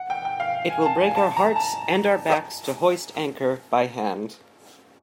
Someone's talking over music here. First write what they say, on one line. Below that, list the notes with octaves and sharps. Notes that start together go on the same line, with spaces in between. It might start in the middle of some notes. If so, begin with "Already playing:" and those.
It will break our hearts and our backs to hoist anchor by hand.
Already playing: F#5
G5
G5
F5
G#5
A5
G#5
A5
A#5
A5